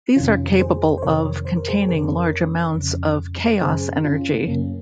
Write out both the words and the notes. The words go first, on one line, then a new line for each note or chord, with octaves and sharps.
These are capable of containing large amounts of chaos energy.
F2 C3 D#3 C#4 F4
G#4 C5
C5
F2 C3 D#3 A#4 C#5
C5
A#4
G#4 C5
F2 C#3 A#4 C#5
F2 C#3
F#2 C#3 G#4 C5
C#4 F4
F#2 C#3 A#3 C#4